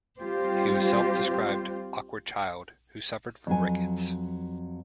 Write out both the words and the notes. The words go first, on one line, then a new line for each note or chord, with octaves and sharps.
He was a self-described "awkward child" who suffered from rickets.
G3 C4 F4 G4 C5
F2 F#3 G#5